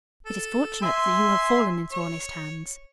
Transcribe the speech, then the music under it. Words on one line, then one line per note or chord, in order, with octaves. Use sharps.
It is fortunate that you have fallen into honest hands.
A4
E5 G#5 C6
C#5